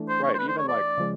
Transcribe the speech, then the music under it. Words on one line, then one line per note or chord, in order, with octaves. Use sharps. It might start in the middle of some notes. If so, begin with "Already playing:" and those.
right, even, like
Already playing: E3 A3 D4
C5
C#5
C5
B4
C5
C#5
D5
C#3 F3 G#3